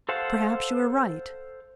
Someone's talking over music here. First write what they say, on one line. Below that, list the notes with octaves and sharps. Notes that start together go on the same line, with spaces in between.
Perhaps you are right.
A4 C5 F5 F#5 A5